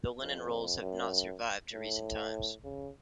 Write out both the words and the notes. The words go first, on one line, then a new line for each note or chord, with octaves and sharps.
The Linen Rolls have not survived to recent times.
F2
F#2
A2
C#3